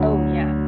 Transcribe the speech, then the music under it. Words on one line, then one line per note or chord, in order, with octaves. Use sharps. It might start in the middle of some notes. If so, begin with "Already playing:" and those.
Oh, yeah.
Already playing: D2 D3 F#3